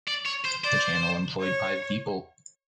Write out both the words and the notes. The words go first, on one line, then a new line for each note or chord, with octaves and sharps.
The channel employed five people.
D5
C#5
C5
C5 D5
C#5